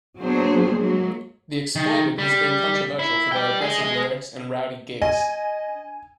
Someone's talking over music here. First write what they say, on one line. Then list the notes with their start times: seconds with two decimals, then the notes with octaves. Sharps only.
The Exploited has been controversial for their aggressive lyrics and rowdy gigs.
0.19 F#3 A#3 B3 D4 G#4 C5
0.73 F#3 G#3 A#3
1.76 D#3
2.18 G3
2.99 E4
3.32 D5 G5
3.61 G#4 D#5
3.81 G#4 D#5
5.02 D#5 G#5